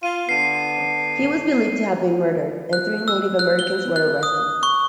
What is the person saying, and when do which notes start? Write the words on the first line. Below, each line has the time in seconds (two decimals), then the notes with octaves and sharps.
He was believed to have been murdered, and three Native Americans were arrested.
0.03 F4 D#7
0.29 D3 B3 C7 D#7
2.73 F#6
3.08 E6
3.39 F#6
3.59 G7
3.96 F#6
4.23 D#6
4.63 C#6